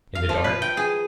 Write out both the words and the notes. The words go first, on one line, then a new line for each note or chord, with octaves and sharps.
"In the dark?"
F5
F3
B4
G5
G#4